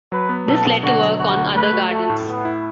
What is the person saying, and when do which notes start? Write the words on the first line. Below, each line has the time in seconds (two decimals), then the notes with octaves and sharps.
This led to work on other gardens.
0.12 F#3 B4
0.29 B3
0.48 B2 A4
0.65 B2
0.83 D3 F#4
1.01 F#3
1.19 D2 F#4
1.37 D2
1.55 A3 B4
1.73 F#4
1.91 A3 A4
2.10 A2
2.27 A3 B3
2.45 E4